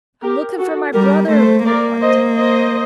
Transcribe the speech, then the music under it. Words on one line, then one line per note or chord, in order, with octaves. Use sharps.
"I'm looking for my brother," replied Tom.
G4 A#4
F#4 A4
G3 G4 A#4
A3 A4 C5
A#3 A#4 D5
C5 D#5
C5 D#5